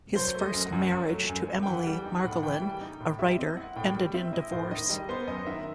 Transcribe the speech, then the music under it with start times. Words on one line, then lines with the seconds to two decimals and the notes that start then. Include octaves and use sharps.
His first marriage to Emily Margolin, a writer, ended in divorce.
0.15 F#3 C5
0.35 A3
0.41 D#5
0.54 F#2
0.66 F#5
0.72 F#2
0.92 F#3
1.10 A3
1.29 F#2
1.48 F#2
1.63 G5
1.67 E3 F#5
1.86 G3
1.93 G5
2.06 D#4
2.18 F#5
2.24 A2
2.43 E3 G5
2.62 G3
2.81 D#4
3.00 A2
3.19 G3 E5
3.38 C4 D#5
3.57 E4 F#5
3.76 A2 G5
3.95 G3
4.14 C4 E5
4.33 E4 D#5
4.52 A2 C5
4.71 D#3 D#5
4.89 G3 D#5
5.09 B3 C5
5.27 F#2 D#5
5.47 D#3 E5